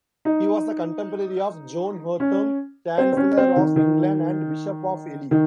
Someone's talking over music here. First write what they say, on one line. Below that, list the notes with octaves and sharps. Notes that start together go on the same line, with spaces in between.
He was a contemporary of John Hotham, Chancellor of England and Bishop of Ely.
D#4
C#4
C4
C4
C#4
C4
D#3
D#3
D#3